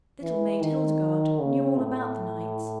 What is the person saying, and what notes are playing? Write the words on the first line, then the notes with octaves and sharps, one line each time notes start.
Little Maid Hildegarde knew all about the knights.
E3
D#3
C#3
A2